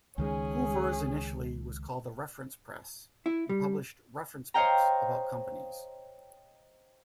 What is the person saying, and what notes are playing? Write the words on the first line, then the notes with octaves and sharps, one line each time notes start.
Hoover's initially was called The Reference Press and published reference books about companies.
C#2 D#3 G#3 C#4 G#4
E4
G3
C5 C#5 D#5 F5 G5 A#5